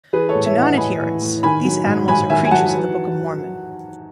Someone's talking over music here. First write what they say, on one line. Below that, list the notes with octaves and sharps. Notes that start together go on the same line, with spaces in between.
To non-adherents, these animals are creatures of the Book of Mormon.
E3 G#4 B4
A4 C#5
A2
C#5 E5
E3
D#5 F#5
A2 G#5 B5
E3
A2
D#3 G#5 B5
F#3
G#2
G#2 G#5 B5
D#3 E5 G#5
G#5
F#3 F#5 A5
E3